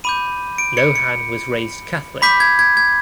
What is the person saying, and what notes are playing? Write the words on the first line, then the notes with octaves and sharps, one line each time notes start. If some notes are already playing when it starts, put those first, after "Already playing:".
Lohan was raised Catholic.
B5 D6 G6 D#7
D7
C#7
C#7
B5 D6 G6 B6
G#6
G#6
G#6